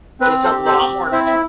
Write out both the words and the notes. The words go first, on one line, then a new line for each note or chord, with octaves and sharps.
It's a lot more
C4 B4
A4 C5
G4
A4 C5
C4
E4 C5 E5
E5